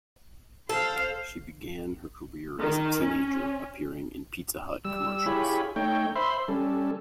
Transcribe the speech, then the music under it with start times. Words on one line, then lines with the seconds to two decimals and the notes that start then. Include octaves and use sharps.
She began her career as a teenager appearing in Pizza Hut commercials.
0.69 A4 C5 F5
2.60 D#3
3.03 C#4
4.85 G3 E6
5.26 E4 F4 G4 G#4 C#5 B5
5.76 A3 D#4 C#5 G5
6.16 C5 E5 B5 C6
6.48 G3 C#4 A4